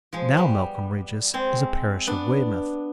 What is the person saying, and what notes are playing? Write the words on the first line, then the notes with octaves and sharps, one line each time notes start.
Now Melcombe Regis is a parish of Weymouth.
F3 G#3
G3 B3
G#3 C4
B3 D4